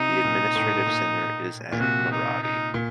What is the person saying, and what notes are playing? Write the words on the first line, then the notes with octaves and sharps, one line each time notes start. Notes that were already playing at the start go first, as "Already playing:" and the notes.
The administrative center is at Maradi.
Already playing: C3 D#4
A#2
A2
A#2
A#2
C3 F#4
D#4
D#4
A#2